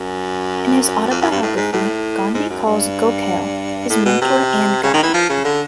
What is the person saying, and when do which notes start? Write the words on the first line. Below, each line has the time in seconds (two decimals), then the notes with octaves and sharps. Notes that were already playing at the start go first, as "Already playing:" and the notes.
In his autobiography, Gandhi calls Gokhale his mentor and guide.
Already playing: F#2
1.10 F2
1.21 F#2
1.31 G2
1.42 A2
1.57 G#2
1.73 A2
2.34 G#2
2.50 F#2
2.66 G2
3.90 A2
4.06 B2
4.21 C3
4.83 C#3
4.94 D#3
5.03 E3
5.14 F3
5.30 C#3
5.45 D3